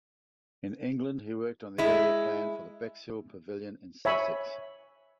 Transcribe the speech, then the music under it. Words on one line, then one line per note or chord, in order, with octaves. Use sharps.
In England he worked on the area plan for the Bexhill Pavilion in Sussex.
G#3 E4
C#5 E5 G#5 B5